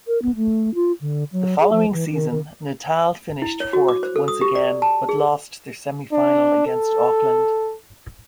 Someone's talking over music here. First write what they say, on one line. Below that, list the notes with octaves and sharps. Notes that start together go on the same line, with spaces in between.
The following season Natal finished fourth once again, but lost their semi-final against Auckland.
A#4
B3
A3
F4
D3
F#3
G#4
F3
E3
D#3
D#3
E4
C#5
F#4
D6
C5
A4
D#6
G4
D5
A5
G#4
D4
A4